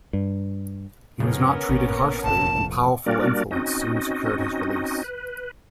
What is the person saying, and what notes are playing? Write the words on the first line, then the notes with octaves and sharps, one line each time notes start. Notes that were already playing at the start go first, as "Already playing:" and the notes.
He was not treated harshly, and powerful influence soon secured his release.
G2
F2 G#2 C#3 B3 C#4 A#4
A1 A#2
F1 A#2 A5
G3 A#3 D4 F#4 A#4 D5
C4 C#4 D#4 F#4 D#5
B4